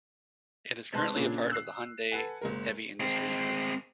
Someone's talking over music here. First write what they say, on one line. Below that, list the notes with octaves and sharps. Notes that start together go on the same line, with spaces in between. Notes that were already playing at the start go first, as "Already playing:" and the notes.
It is currently a part of the Hyundai Heavy Industries Group.
C3 G#3 B4 A5 C6 F#6
A#2 C#3 A#3 D4
E6 F#6 C7
A4 B4 F#5 G#5
F#1 G#3 A#4
G#3 C4